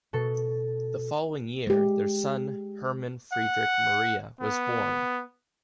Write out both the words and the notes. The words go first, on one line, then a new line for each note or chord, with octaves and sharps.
The following year, their son Hermann Friedrich Maria was born.
B2 A4
G#3 G4
F#5
B3